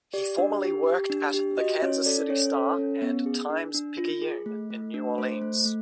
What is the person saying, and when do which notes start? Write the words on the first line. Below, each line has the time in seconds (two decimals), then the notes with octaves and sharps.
He formerly worked at "The Kansas City Star" and "Times-Picayune" in New Orleans.
0.13 G4 D5
0.38 D4
0.63 G4
0.86 G4
1.10 D4
1.34 G4
1.57 F#4 D#5
1.82 C#4 C#5
2.06 A4 D5
2.30 C#4 C#5
2.53 A4
2.79 C#4
3.02 B3
3.26 G#4
3.50 D4
3.74 D4
3.98 F4
4.22 G#4
4.46 A3
4.70 A3
4.94 D4
5.18 A3 C5
5.42 A3
5.65 A3